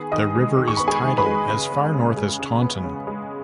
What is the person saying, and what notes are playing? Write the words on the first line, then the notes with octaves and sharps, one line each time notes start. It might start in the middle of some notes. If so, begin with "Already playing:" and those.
The river is tidal as far north as Taunton.
Already playing: D#3 B3 G#4 G#5
D#3 D#5 D#6
G#3
D#3
C#6
B3 B5
G#4 G#5
D#3
B4 B5
G#3
C#3
B3
C#3
G#3
C#3
B3
C#3
G#3